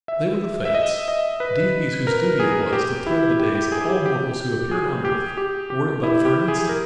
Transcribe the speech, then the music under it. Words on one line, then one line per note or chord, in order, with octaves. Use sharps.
They were the Fates, deities whose duty it was to thread the days of all mortals who appeared on earth, were it but for an instant.
E5
E5
D#5
D#5
B4
A#4
G#4
G4
E4
G4
G4
G#4
G4
G4
G#4
G4
G4
G4
E4
G4
G#4
A#4